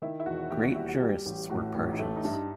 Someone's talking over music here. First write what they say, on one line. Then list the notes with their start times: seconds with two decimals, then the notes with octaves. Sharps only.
Great jurists were Persians.
0.02 D#3 E4
0.20 E4
0.26 E1 F#4
0.51 D#2 G4
0.63 F#4
0.75 G3 E4
0.89 F#4
1.00 G3 G4
1.26 A1
1.50 A2 F#4
1.75 A1
1.92 D#4
1.99 A3 E4
2.16 D#4
2.24 G2 E4
2.32 D#4